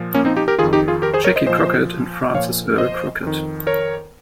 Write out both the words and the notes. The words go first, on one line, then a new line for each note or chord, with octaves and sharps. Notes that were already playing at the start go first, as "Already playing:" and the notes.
"Jackie" Crockett, and Frances Earl Crockett.
Already playing: A#2 F3
A#3 C#4
C4 D#4
D#4 G4
G4 A#4
F2 D#3 F4 G#4
D#4 G4
F4 G#4
G4 A#4
G#4 C5
A#4 C#5
C5 D#5
A#2 F3 C5 D#5
A#2 F3 C#5 F5
C5 D#5
F2 D#3
A#4 C#5